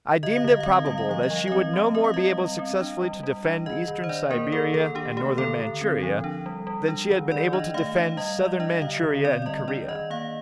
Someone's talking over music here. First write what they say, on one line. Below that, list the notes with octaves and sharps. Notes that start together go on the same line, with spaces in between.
I deemed it probable that she would no more be able successfully to defend Eastern Siberia and Northern Manchuria than she had been able to defend Southern Manchuria and Korea.
D3 D#5
F5
D3 D#5
F5
C4
D#5
G3 F5
D#5
F3 F5
D#5
F3 F5
C4 D#5
A3
C4 D#5
F5
G3 D#5
G3
C4
D4
G3
G3
D4
D#3 D#5
D#3
C5
D4 D5
A#3 A#4
D#3 A4
D#3 A4
D4 G4
A3 G4
D3 A4
D3
C4
F3
D4
G3
G3
D4
D#3
D#3 D5
D4 D#5
A3 F5
D4 F5
G3 D#5
G3 D5
D4 D#5
D3 F5
D3
C4 D5
D5
G3 D#5
D4 D5
D#3 D#5
A#3 F5